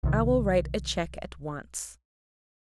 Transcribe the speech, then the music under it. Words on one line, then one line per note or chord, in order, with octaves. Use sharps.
I will write a cheque at once.'
B1 C3 D#3